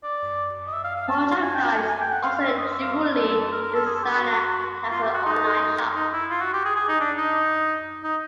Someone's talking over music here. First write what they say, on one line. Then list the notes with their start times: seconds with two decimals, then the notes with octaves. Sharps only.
Cojocar is also a jewelry designer and has an online shop.
0.03 D5
0.67 D#5
0.73 E5
0.84 F5
0.96 F5
1.08 A5
1.19 A5
1.42 G#5
1.54 G5
1.66 A5
1.77 G#5
1.89 G#5
2.01 G5
2.12 F#5
2.23 F5
2.35 F5
2.47 E5
2.58 D#5
2.71 E5
2.82 F5
2.93 E5
3.17 A4
3.28 A4
3.40 A4
3.52 A#4
3.63 A#4
3.74 A4
3.86 G#4
3.95 A4
4.03 G4
4.12 F#4
4.91 F4
5.02 G4
5.14 F#4
5.26 D#4
5.95 D#4
6.13 E4
6.30 F4
6.41 F#4
6.53 G4
6.65 G#4
6.76 G#4
6.88 D#4
7.00 D4
7.18 D#4
8.04 D#4